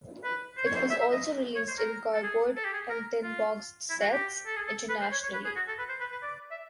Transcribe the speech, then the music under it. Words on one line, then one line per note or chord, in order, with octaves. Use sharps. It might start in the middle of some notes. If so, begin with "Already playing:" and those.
It was also released in cardboard and tin boxed sets, internationally.
B4
C5
C#5
C5
E5
E5
D#5
C#5
C5
A#4
A4
G#4
A4
G4
G#4
A#4
F4
E4
F#4
G4
A4
G#4
A4
B4
C5
C#5
C#5
B4
G#4
F#4
A4
B4
C5
B4
B4
D5
E5